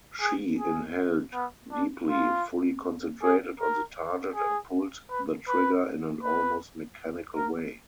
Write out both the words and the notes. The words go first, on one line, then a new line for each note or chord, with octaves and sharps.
She inhaled deeply, fully concentrated on the target and pulled the trigger in an almost mechanical way.
G#4
G#4
B3
D4
F4
G#4
A#4
G#4
B4
B4
B4
A#4